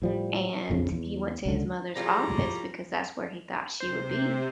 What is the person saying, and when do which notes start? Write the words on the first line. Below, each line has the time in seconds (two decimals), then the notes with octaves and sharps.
and he went to his mother's office because that's where he thought she would be.
0.02 A2 F3 G3
0.70 A#1 F2 C#3
0.92 E2
1.46 C#2 D3
1.96 A2 F3 G3 F4 G#4 C5 A#5
3.80 C3 C5